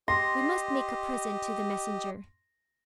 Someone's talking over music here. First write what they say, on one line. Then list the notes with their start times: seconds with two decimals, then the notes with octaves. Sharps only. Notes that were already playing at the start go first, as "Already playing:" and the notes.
"We must make a present to the messenger."
0.08 G4 D#5 C6 A#6